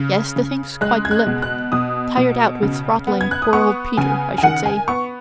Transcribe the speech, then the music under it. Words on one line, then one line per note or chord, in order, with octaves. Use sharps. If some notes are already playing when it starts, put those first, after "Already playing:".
"Yes, the thing's quite limp; tired out with throttling poor old Peter, I should say."
Already playing: C#3
C#3
G#3 F#6
G#6
F#6
B2
F#6
B2 D#6
B2
C#3
B3
G#6
F#6
D#6
B3 C#6
C#3 G#5
G#5
D#3 F#5
G#5
B3 C#6